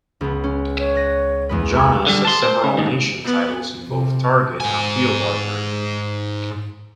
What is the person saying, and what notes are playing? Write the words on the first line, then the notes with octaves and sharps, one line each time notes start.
Jonas has several nation titles in both target and field archery.
C#2 B3
C#4
C#5
F#6 A#6 D#7
E2 G#3 B4
A#5 B5 C#6 G#6
D3 G3
A5 C6
C5
C#3
D#2 G#2
B3
C3
G#2 G#5